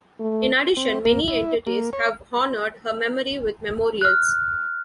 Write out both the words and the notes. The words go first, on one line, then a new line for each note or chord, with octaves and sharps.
In addition, many entities have honored her memory with memorials.
A3
C4
A#3
E4
A#3
C#5
F6 F#6